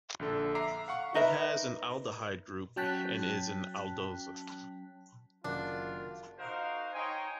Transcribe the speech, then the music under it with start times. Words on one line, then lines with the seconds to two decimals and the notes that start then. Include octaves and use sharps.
It has an aldehyde group and is an aldose.
0.19 A#1 D3 A4
0.55 E5 A#5 D6 C7
0.88 F5 F#5 C#6
1.14 D#4 A#4 B4 E5
2.76 F#3 C#4 G5 A5 F#6 B6
5.44 F#1 F#2 D#3 D4 F4 F#4
6.37 D#4 F#4 A#4 C5 F5
6.93 D#4 C#5 G5 G#5 C6